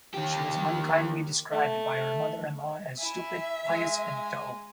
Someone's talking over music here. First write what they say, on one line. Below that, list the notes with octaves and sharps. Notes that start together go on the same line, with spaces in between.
She was unkindly described by her mother-in-law as "stupid, pious and dull".
D#3 G4
A3
E4 E5 G#5
G#3 G#5